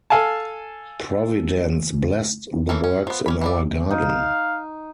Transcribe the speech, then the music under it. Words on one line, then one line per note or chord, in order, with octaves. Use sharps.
Providence blessed the works in our garden.
A4 F5 G#5 A5
E3 A#3 C#4 A4
C#4
F3 B3
C#4 C#5 B5
E3 E4 D5
D#4 F5